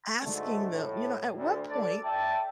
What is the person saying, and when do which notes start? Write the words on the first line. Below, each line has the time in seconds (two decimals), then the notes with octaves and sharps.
asking them, you know, "At what point
0.23 G#2 D3 F#3 A3
0.71 A2
1.36 D2
1.69 A4 D5
2.04 E5 G5 A5